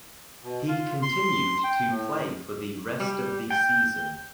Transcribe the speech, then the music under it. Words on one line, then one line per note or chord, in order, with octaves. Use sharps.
He continued to play for the rest of the season.
B2
F4
C6
G5
A2
G3
G5